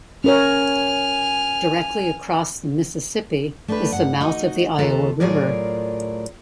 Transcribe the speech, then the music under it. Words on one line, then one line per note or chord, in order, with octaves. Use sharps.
Directly across the Mississippi is the mouth of the Iowa River.
C#4 A#4 C#5 G#5 F6
A3 D4 G4 A#4 B4
G2 F#5
D#4 F#4 D#5
D#2 F4 A4 B4 A#5
A2 F#3 F4 G#4 A#4 D5